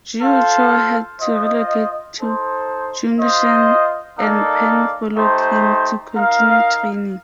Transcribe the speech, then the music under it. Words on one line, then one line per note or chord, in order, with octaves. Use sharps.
Jiu Chow had to relocate to Chungshan, and Pan followed him to continue training.
F4 A4 C5 F5
F4 C5 D#5
D#4 A4 C5
F4 C5 D#5
A#3 D#4 A4 D5 F5
A3 D#4 G4 C5
D#4 A#4 F5